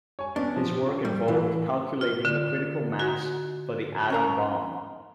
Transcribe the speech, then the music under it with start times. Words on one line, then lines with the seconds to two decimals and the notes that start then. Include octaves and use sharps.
His work involved calculating the critical mass for the atom bomb.
0.19 C#5 G#5
0.36 B3 C#4 D4
0.56 F3
0.73 G4
1.05 G3
1.28 A2 E3
2.01 F4
2.25 D3
2.99 F#4
4.10 C#4 A#4 A#5